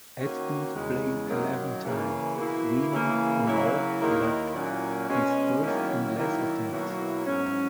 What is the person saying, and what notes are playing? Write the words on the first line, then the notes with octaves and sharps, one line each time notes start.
Atkins played eleven times, winning in all but his first and last attempts.
D#3 A#3 C#4 F#4
E2 C#3 G#3
F#2 D#3 F#3 A#3
C#3 E3 A#3
B2 A#3 E4
C#3 E3 A#3
C#3 F#3 A#3 E4
D#2 D#3 A#3 E4
A#2 F#3 A#3 C#4 F#4
B2 G#3 C#4
D#3 F#3 A#3 C#4 E4
D#3 F#3 A#3 E4
B2 F#3 A#3 E4
G#2 F#3 C#4